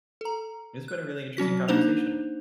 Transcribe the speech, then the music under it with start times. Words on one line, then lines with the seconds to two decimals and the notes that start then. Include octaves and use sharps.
It's been a really interesting conversation.
0.21 A4 A#5
0.88 F#6
1.37 F#3 C#4 F#4 B6
1.68 A#3 D4 D#4 C5 F7